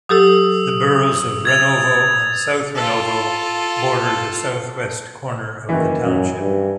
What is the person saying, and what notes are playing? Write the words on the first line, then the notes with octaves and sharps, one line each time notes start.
The boroughs of Renovo and South Renovo border the southwest corner of the township.
F#3 G4 A4 D#6 E6
G#6 A6 F7
F4 A4
F#1 D#3 E3
F#2
G2